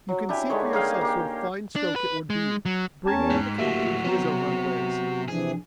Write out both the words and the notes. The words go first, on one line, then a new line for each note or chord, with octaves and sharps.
You can see for yourselves what a fine stroke it would be, bringing the captain to his own runaways!
F#3
D4 E4 G4 G#5
D3 D#3 G#3 C#5
A#3 G#4 F5 G5
A#3 G4
D4
B4
G#3
F#3
E2 C#4 G5 A5 A#5 G#6
G#2
A2 F#3 A#3 F#4 G4 E5
C3 F#3 B3 C4 A#5
C3 E3 F3 D4 G#4